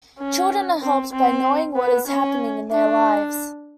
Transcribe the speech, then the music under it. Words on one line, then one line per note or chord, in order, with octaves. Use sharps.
Children are helped by knowing what is happening in their lives.
C#4
C4
C4
B3
C#4
D4